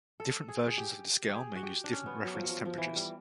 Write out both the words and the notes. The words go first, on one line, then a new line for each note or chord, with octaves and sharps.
Different versions of the scale may use different reference temperatures.
A4
G#4
G#4
G4
G4
G#4
F#4
G4
D4
C#4
B3
F#3
F3
F#3
F3
F3
E3
G3